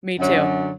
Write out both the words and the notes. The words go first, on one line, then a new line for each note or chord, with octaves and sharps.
me too,
F#2 D3 F#3